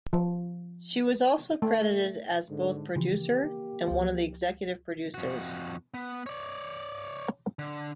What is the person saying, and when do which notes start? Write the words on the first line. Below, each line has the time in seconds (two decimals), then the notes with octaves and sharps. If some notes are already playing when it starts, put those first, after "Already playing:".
She was also credited as both producer and one of the executive producers.
0.13 F3
1.62 A3
2.49 G#2 D3
2.96 C#3 E3 F3 A#3 G4
3.88 C#2 F3
5.14 F2 F#4
5.94 B3
6.26 C#5 D5
7.59 D3